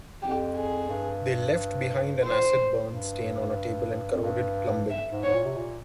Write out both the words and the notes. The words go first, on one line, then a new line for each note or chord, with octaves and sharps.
They left behind an acid burn stain on a table and corroded plumbing.
F2 G4
G#4
G2
A#2 C5
G2
F2
G2
E5
G#2
G#2 C#5
A#2
C3
A#2